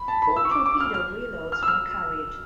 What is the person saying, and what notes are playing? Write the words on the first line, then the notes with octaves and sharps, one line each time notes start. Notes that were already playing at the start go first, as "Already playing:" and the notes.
Four torpedo reloads were carried.
Already playing: B5
A5
B5
E6
C#6
D6
D6
F6
F6
F6
E6
F6